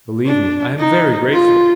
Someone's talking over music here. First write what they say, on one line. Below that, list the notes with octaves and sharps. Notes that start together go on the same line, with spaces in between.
Believe me, I am very grateful.
D4
D#4
F4